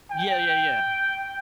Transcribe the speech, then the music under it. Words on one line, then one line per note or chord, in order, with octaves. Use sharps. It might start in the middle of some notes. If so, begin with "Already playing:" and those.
Yeah, yeah, yeah.
G5